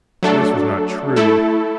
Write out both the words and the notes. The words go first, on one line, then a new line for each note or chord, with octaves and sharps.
This was not true.
F#3 A3 D4 A4
A3 E4 A4